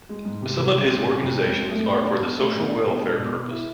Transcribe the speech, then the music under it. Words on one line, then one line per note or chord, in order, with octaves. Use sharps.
Some of his organizations are for the social welfare purpose.
G#3
G#2
C3
C2
G#3
C4
C3
F2
G#3
C4
A3
B2
D4
B2
A3
B2
D4
B2
G#3
B2
B3
E4